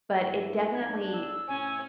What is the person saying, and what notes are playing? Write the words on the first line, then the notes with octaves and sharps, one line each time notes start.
but it definitely,
G2 E3
B1 D4 G#6
E6
A2 C3 C#4 G#5